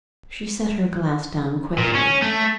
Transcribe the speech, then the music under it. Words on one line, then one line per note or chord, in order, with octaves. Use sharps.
She set her glass down quickly.
A#2
C#4
A3